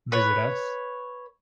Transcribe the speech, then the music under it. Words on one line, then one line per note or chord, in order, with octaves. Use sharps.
visit us.
B4 C#5